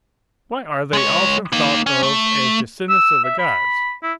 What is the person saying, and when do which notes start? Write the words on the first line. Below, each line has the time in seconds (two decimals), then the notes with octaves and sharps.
Why are they often thought of as descendants of the gods?
0.93 G#3 C#5
1.53 A#3 D#4
1.86 C#4
2.03 A3
2.89 E6
3.24 E5
3.39 B5
4.03 E4